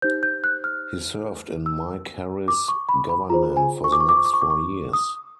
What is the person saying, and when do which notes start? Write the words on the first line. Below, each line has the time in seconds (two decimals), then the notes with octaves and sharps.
He served in Mike Harris's government for the next four years.
0.02 D#4 G4 C5 G6
0.23 G6
0.44 F#6
0.64 F6
1.66 E6
2.48 D6
2.68 C#6
2.89 B5
3.09 B5
3.30 F4 G#4 C5 A#5
3.57 G#5
3.84 C#6
3.92 D6
4.00 C#6
4.09 D6
4.17 C#6
4.25 D6
4.34 C#6
4.42 D6
4.50 C#6
4.93 D#6